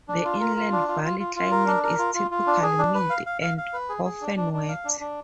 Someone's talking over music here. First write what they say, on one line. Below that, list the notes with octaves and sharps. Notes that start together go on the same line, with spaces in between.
The inland valley climate is typically mild and often wet.
D4
F4
A#4
F4
D4
F4
F4
F4
F4
A#4
D4
A#4
F4
F4
F4
D4
G#4
D4
B4
F5
F5
F5
F5
B4
G#4
G#4
D4
D4
D4
F5
D4
D4